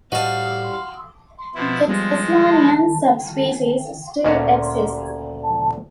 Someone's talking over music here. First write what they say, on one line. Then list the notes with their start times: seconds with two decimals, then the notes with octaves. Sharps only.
The Tasmanian subspecies still exists.
0.12 A2 G3 F#4 C5 D#5 F5 A5
1.55 B2 F3 E4
1.88 F3 G3 G#3 B3
4.24 D2 A#2 C#4 A#4 F#5 A5